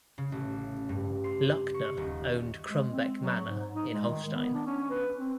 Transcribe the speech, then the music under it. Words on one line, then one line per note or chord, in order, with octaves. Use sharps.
Luckner owned Krummbek Manor in Holstein.
C#3
A1
G2
C6
C#6
D#1
G#3
C4
F#3
G#2
D#4
G#3
D#3
B3
D4
C#4
B4
C4